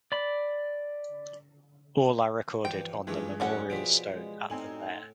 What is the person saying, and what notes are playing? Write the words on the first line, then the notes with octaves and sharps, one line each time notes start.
All are recorded on the memorial stone at the lair.
D5 B5
G2 E3 F3 G5
G2 E3 F3 G#3 G4 G#4
F#2 A2 G3 C#4 E5 F#5
B2 F3 C5 B6 D7
G#3
A2 C4 D#4 G#5 F#7